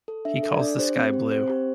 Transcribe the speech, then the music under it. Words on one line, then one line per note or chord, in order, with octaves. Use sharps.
He calls the sky blue.
A4
D4 E5
A4
D5
D4
G4 C5
C4
G4
C4 C5
G4